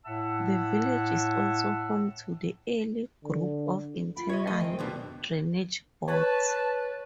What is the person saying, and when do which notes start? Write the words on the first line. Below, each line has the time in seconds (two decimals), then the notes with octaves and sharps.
The village is also home to the Ely Group of Internal Drainage Boards.
0.06 A2 E5 F#5 A5 E6
3.24 D3
4.17 F4 G5 B5
4.29 C#5 D#5 E5
4.47 D#3 A3 A4 D#5
4.60 D#3 G#3 C4
4.79 C#2 F#2 B2 D4 C5
6.08 B4 C#5 A5